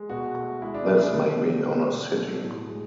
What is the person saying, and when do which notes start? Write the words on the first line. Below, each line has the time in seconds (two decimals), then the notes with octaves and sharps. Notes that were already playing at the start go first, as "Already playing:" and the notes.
This may be on a city.
Already playing: G#3
0.09 B2 F#4
0.36 A3
0.62 G#3 E4
0.74 D4
0.87 B2 E4
1.01 G#4
1.13 D3 A4
1.40 D3
1.66 B2
1.91 B2
2.17 F#3 A4
2.43 A2
2.69 G#3